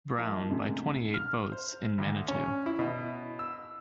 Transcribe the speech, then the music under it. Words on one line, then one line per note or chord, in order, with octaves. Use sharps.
Brown by twenty-eight votes in Manitou.
F3 A#3 D#4 F4
D2 G#2 C3
F6
C5
D2
C#4
E4
B2
E6